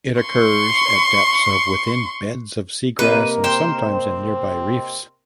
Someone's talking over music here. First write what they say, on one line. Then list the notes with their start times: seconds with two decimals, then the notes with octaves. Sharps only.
It occurs at depths of within beds of seagrass and sometimes in nearby reefs.
0.21 C6 C#6
2.99 C3 A#3 A#4 B4 D#5
3.44 C5 G5
3.93 C4